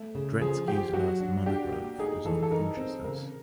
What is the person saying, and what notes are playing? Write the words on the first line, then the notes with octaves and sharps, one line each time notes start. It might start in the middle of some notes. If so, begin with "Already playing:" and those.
Dretske's last monograph was on consciousness.
Already playing: A3
C#3
F3 G#4
F3 G4
F#3 F#4
D4
D4 G4
A#3
D#4 G#4
E3 A4
A4
D#4 A#4
C4
C#3 A#4